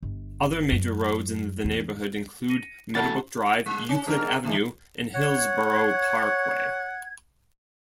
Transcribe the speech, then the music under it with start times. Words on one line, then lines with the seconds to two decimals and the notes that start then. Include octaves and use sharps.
Other major roads in the neighborhood include Meadowbrook Drive, Euclid Avenue, and Hillsboro Parkway.
0.03 G1
0.72 F#2
1.65 E2
2.50 A#6 C#7 D#7
2.95 C#3 E3 A3 F#4 F#5 A5 A6
3.66 G#3
3.89 C#4
4.06 G#2 D4 A#4
4.45 D3 E3 G#3
5.15 C#5 F#5 G#6